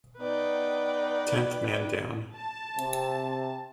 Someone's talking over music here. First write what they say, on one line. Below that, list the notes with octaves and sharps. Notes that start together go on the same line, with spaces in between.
Tenth Man Down.
B3 D#4 B4 D5 G5
A5
C3